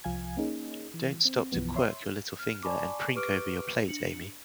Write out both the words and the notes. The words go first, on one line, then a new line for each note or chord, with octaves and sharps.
Don't stop to quirk your little finger, and prink over your plate, Amy.
C2 F3 F5 G#5 G#6
A#3 C#4 D#4 G#4
E3
C4
B1 F#2 E3 F3 B3
C#5 E5 C6
F6
D5 G#5 A5 B5 C#6 D6
G4 B4 C#6 D6 F6 D7
D4 C#7 F#7